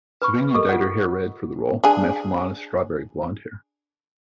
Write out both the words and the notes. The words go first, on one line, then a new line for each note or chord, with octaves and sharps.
Sevigny dyed her hair red for the role to match Lana's strawberry blonde hair.
B4 B5 C#6
G4 A4 A#4 D#5 C#6
F4 F#5
D4 G#4